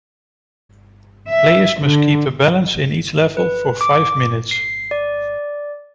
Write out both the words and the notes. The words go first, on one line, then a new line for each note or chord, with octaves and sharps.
Players must keep a balance in each level for five minutes.
E5
D3
B4
D6
C7
D5